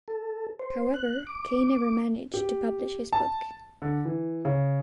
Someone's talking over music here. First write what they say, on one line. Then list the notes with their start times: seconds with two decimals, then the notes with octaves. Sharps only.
However Kay never managed to publish his book.
0.08 A4
0.59 C5
0.94 F#6
1.27 D6
2.34 G4
3.13 A5
3.82 D3
4.05 E3
4.45 C#3